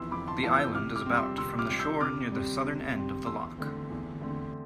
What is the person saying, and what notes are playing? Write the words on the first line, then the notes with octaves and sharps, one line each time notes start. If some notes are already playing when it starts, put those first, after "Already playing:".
The island is about from the shore near the southern end of the loch.
Already playing: F2 E3 B3 C6 E6
F2 B5 D6
A5 C6
E3 B3 F5 A5
E6 G6
C3 D6 F6
D6 F6
G3 C4
C6 E6
C3 C6 E6
D6 F6
G3 C4
E6 G6
C3 D6 F6
G3 C4
C3
G3 C4
E2 C6 E6
D3 A3 C4
E2
D3 A3 C4